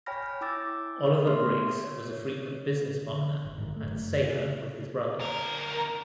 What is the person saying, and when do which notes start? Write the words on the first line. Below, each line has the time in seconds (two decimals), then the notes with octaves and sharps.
Oliver Briggs was a frequent business partner and sailor with his brother.
0.06 C#5 G5 G#5 B5 F6 A#6
0.41 E4 G5 D6 E6 A6
1.27 A3 B3 G4 E5 C6 F6
1.84 C#5
3.13 D3
3.45 G1
3.58 G#2 D#3
3.76 F#1 A3
4.22 C#3
5.19 D2 A#4